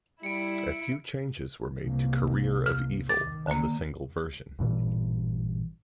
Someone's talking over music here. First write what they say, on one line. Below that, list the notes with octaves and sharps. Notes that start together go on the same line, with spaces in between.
A few changes were made to "Career of Evil" on the single version.
G3 E4 C#7 D7
C2 A#3
F6
D#3 D6 A6
D3 A#3
A1 G2 A#2 E3